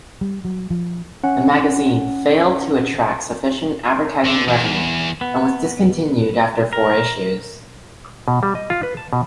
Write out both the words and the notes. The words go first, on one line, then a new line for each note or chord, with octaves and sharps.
The magazine failed to attract sufficient advertising revenue and was discontinued after four issues.
G3
F#3
F3
C#4 F#5
D3
E2
B3
A#4
B2
G3
D#5
F4
B4
A5
B2